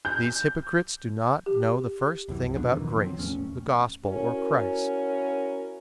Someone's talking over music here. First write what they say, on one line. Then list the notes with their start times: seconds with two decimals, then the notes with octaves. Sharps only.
These hypocrites do not know the first thing about grace, the Gospel, or Christ.
0.05 G6
1.46 G4
2.28 C2 F#2 E3
2.56 E2 F3 B3 D4
2.70 F2 B2 D#3 E3
2.96 F3 F#3 C4
3.18 E2 A2 C#4
4.06 C#4 E4 F#4 A#4